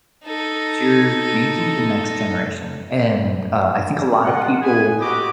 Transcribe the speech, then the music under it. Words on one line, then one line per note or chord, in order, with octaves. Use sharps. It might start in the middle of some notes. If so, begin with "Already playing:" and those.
you're making the next generation, and, uh, I think a lotta people,
D#4 A4
G#3 F4 F#5
G#4 B4 G#5
F#4 G4 B4 D#5 B5 D6